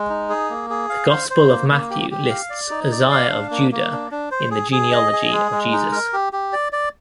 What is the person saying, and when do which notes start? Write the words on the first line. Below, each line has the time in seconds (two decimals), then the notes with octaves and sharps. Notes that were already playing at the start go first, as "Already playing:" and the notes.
The Gospel of Matthew lists Uzziah of Judah in the genealogy of Jesus.
Already playing: G#3
0.10 D#4
0.30 G#4
0.50 A#3
0.70 G#4
0.89 F5
1.09 C5
1.30 C5
1.49 A#3
1.71 A#3
1.90 G4
2.11 G4
2.30 F5
2.50 D5
2.70 D#4
2.91 D5
3.11 F5
3.30 D4
3.51 A#3
3.72 A#3
3.92 D4
4.11 D4
4.31 C5
4.51 G#4
4.72 G#4
4.92 D#5
5.13 G#4
5.32 G#3
5.52 G#3
5.72 D#4
5.92 A#4
6.13 G4
6.33 G4
6.53 D5
6.73 D5